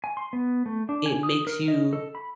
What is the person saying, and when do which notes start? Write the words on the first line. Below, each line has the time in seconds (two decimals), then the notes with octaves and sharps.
it makes you
0.04 G#5
0.17 C6
0.33 B3
0.66 A3
0.89 D4
1.06 G#5
1.23 D#6
1.47 A#4
1.68 D#5
1.93 A4
2.15 B5